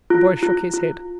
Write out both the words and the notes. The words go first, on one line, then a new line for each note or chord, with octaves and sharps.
The boy shook his head.
F4
F4
F4